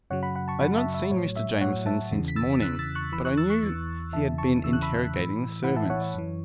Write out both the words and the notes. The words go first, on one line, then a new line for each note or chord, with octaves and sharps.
I had not seen Mr. Jamieson since morning, but I knew he had been interrogating the servants.
F#2 C#3 F#3 C#5 F#5
F#5 B5
F#5 B5
A5 C#6
F#2 C#3 F#3 F#5 B5
E5 A5
E5
A2 F#3 C#5
E5
A2 F#3 C#5 F#5
E5 A5
E2 C#3 E3
B6
E6 A6
E2 C#3 E3 F#6 B6
E6 A6
C#6 F#6
E2 E3 B5 E6
C#6 F#6
E6 A6
C#6 F#6
E2 E3
E2 C#3 E3 E5 A5
A5 C#6
E2 C#3 E3 E6
F#6
B5 E6
A2 E3
E3 F#5 B5
A2
E5 A5
C#5 F#5
C#5
F#2 E3